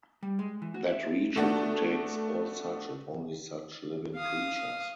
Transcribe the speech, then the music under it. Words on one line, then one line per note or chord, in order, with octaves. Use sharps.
That region contains all such and only such living creatures.
G3
G#3
E3
F#4
E5
A3 B3 D4 F#4
F5 D#6